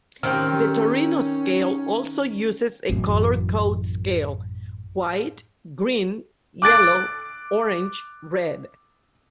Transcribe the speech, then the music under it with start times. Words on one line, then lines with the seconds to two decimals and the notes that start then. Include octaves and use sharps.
The Torino Scale also uses a color code scale: white, green, yellow, orange, red.
0.23 D#3 C4 C#4 G4 F6
2.89 A1 F#2
6.62 D6 F#6 A6 D7